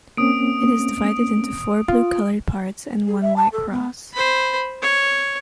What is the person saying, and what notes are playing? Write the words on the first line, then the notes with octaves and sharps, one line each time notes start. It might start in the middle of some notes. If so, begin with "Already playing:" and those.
It is divided into four blue colored parts and one white cross.
A#3 C4 C#4 D#6 D7
F4
G#4
E5
A5
A4
B3
C5 B5
C#5